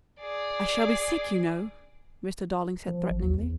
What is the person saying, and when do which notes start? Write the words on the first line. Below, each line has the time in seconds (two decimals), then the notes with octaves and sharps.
"I shall be sick, you know," Mr. Darling said threateningly.
0.20 G#4 D5
2.88 F3
3.10 A1
3.23 D#2
3.36 E2